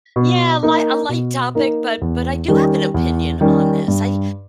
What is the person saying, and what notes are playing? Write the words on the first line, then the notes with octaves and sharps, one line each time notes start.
Yeah, li a light topic, but but I do have an opinion on this. I
B2
A#3 D#4 A#4
B2
A#3 D#4 A#4
E2
D#3 G3 C#4 G4
E2
D#3 G3 C#4 G4
G2